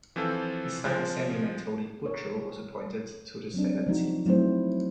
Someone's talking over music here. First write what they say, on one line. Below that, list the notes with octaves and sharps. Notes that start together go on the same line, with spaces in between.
His son Assemblyman Tony Bucco was appointed to the Senate seat.
E3 F3 C4 F4 A4
F3 G#3 C4
A#4 C#5
F#3 C4 D4
F3 G#3 D#4 F#4
F#3 A3 C4 E4 C5